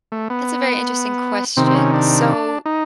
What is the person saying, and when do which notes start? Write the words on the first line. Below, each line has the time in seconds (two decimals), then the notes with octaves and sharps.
that's a very interesting question, so
0.12 A3
0.30 B3
1.57 C3 D#3 C4
1.67 C4
1.75 C#4
1.93 D4
2.66 D#4